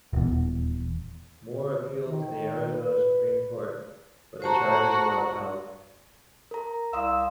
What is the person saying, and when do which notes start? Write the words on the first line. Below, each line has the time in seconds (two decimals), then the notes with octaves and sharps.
Moore appealed to the Arizona Supreme Court but the charges were upheld.
0.13 D#1 E2
2.09 D#3
2.70 B4
4.42 F#4 C5 A5 A#5
6.51 A#4 A#5
6.93 C2 F5 C6 D#6 E6